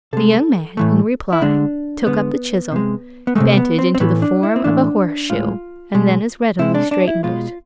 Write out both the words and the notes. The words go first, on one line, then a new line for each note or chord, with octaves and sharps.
The young man, in reply, took up the chisel, bent it into the form of a horseshoe, and then as readily straightened it.
C3 G#3 A4
A2 E3 A3
E4
D3 G#3 D4
D3 F3 G#3 B3
C3 G#3
B3
C3 E3 G#3 A3
B3
C4
C4
A2 E3 A3 B3
D4
E4
C4
A2 E3 A3 D4
A2 G#3 F4
B2 G#3
C3 G#3 E4
D4
D4
E4
B2 G#3 F4